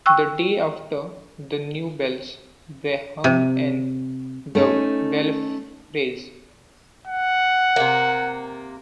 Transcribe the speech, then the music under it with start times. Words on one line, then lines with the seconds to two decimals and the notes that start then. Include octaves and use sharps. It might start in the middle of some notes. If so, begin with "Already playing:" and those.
The day after, the new bells were hung in the belfries.
0.06 G5 C#6 E6 F#6
3.24 C3
4.55 A3 C#4 D#4
7.07 F#5
7.76 C3 A#3